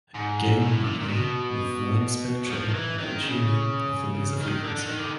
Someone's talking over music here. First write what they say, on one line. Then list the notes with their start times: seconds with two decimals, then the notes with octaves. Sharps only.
"Gain media" with wide spectra allow tuning of the laser frequency.
0.14 G#2
0.61 A2
0.85 A#2
1.01 A#2
1.08 B2
2.47 E3
2.51 F3
2.68 D#3
2.74 E3
2.98 D#3
3.21 C#3
4.40 D#3
4.63 D3
4.75 D3
4.87 D#3
4.99 D3